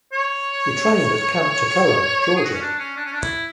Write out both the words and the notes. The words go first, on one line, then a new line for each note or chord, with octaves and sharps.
He trained at Camp Toccoa, Georgia.
C#5
G#4
F#4
C#4
D4
C#4
D4
C#4
D4
E4